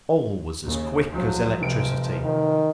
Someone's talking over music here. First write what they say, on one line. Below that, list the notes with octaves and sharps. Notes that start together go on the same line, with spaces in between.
All was as quick as electricity.
D#2 C#3
C#2 F3 F#3
F1 F3 D7
D#3